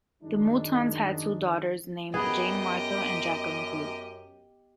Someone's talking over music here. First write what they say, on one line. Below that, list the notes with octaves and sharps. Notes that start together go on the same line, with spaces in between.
The Moutons had two daughters named Jane Martha and Jacquelyn Cruse.
F#2 D#3 G#3 D4 D#4
F#2 B3 G4 G#4 D#5